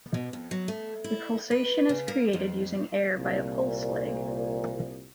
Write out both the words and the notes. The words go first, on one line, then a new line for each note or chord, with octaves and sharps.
A pulsation is created using air by a pulse leg.
B2
F2
F#3
A3
E4
B4
C#3
A#3
F2
C2 A#2